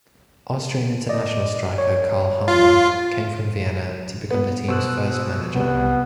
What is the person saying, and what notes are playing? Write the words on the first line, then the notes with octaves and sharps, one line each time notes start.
Austrian international striker, Karl Harmer, came from Vienna to become the team's first manager.
D5 D#5
C#5
F4
B3
B2 C5 E6 F#6
C2 G3 B3